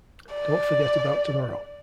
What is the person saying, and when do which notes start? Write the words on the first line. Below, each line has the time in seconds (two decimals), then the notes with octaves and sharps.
Don't forget about tomorrow.
0.35 D5